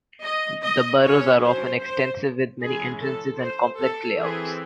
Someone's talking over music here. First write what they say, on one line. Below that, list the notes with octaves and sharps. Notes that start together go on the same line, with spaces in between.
The burrows are often extensive with many entrances and complex layouts.
D#5
D#5
F#3 C#4 C#5
C5
C5
E3 G#3 C#4 G#4
A4
C5
A4
E3 C4 G#4